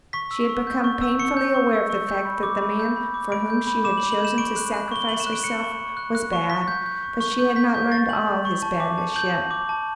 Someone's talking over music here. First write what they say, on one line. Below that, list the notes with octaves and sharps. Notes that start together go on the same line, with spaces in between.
She had become painfully aware of the fact that the man for whom she had chosen to sacrifice herself was bad, but she had not learned all his badness yet.
C#6 B6
E6
C#6
G6
C#6
E6
C#6 C#7
G6
C#6
E6
C#6
G6
B5
D6
B5
G6
B5
D6
B5 D7
G6
B5
D6 E7
F#7
B5
F#7
G6 E7
C#6 D7
F#6
F#6
C#6 G7
C#6 F#7
E7
F#6
D7
F#6 C#7
C#6
C#6
F#6
F#6
C#6
C#6 B6
G6
G6
C#6
C#6
G6
G6 B6
C#6 G6
C#6 A6
G6 F#7
G6
C#6
A5
D6
A5
G6 F#7
A5
D6
A5